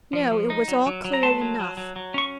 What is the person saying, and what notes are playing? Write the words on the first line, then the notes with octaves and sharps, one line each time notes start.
No, it was all clear enough.
F3
F3
D#4
F#3
F#3
F#3
A#5
A3 A5 C6
F#3
F#3
F#3
F#3
C#4 C#6